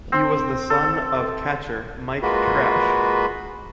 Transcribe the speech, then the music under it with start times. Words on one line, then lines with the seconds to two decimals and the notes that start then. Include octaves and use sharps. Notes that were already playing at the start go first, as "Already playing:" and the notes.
He was the son of catcher Mike Tresh.
0.12 C4
0.70 A4
2.22 G#3 A#3 F4 F#4 B4 B5